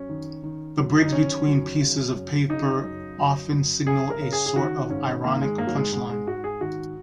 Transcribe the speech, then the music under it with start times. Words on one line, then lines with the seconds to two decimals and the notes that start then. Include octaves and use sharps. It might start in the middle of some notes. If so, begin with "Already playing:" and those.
The breaks between pieces of paper often signal a sort of ironic "punchline".
Already playing: F#2 C#4
0.09 D#3
0.43 D#3
0.78 F#2
1.02 D#4
1.13 D#3 C#4
1.47 F#2
1.81 C#3
2.15 F#2
2.49 C#3 D#4
2.84 F#2
3.18 F#2
3.53 F#2
3.86 C#3 G#4
4.10 A#4
4.21 C#3
4.33 G#4
4.46 G#4
4.55 D#3 F#4
4.90 G#2 C#4
5.24 D#3 A#3
5.41 G#3
5.58 G#2 A#3
5.67 F#3
5.75 G#3
5.92 G#2 G#3
6.09 G#3
6.26 G#2 F#4
6.44 G#4
6.61 D#3 F#4